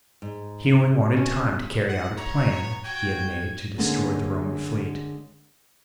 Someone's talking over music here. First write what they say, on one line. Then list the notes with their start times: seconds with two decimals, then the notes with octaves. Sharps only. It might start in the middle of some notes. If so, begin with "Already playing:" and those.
He only wanted time to carry out a plan he had made to destroy the Roman fleet.
0.22 G#2
1.14 B2 C#4
1.87 F#5
2.17 B3 C#5 A#5
2.84 F#4 G5 G#6
3.78 D3 G#3 A#3 C4 C#4